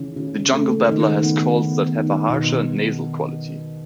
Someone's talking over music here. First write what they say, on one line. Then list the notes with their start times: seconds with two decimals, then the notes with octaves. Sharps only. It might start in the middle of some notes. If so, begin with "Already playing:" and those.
The jungle babbler has calls that have a harsher and nasal quality.
Already playing: C#3 E3
0.16 C#3
0.52 A3
0.87 D#3
1.23 B3
1.58 B3
1.94 D#3
2.29 B2